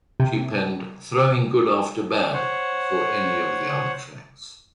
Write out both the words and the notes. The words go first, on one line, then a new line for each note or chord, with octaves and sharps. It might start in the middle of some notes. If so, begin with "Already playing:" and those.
She penned "Throwing Good After Bad" before any of the other tracks.
C3
C5 C#5 F#5